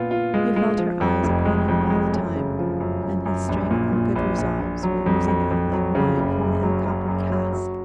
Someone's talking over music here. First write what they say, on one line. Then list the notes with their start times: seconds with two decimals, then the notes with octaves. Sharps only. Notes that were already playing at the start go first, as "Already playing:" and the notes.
He felt her eyes upon him all the time, and his strength and good resolves were oozing out like wine from an ill-coppered cask.
Already playing: A#2 B3 F4
0.11 F4
0.34 G#3
0.56 G#3
0.78 F3
1.01 F2
1.24 F1
1.45 G#3
1.68 F2
1.90 G#3
2.13 F#2
2.36 C#3
2.59 F3
2.80 F#2
3.03 F#2
3.26 F#2
3.49 A#1
3.71 A#2
3.93 A#2
4.16 A#1
4.38 A#1
4.60 A#1
4.83 F#3
5.06 F2
5.28 F2
5.51 F2
5.73 F#3
5.95 C#3
6.18 F#1
6.41 F#2
6.63 F#3
6.85 F#3
7.08 F#2
7.30 F#3
7.53 F#3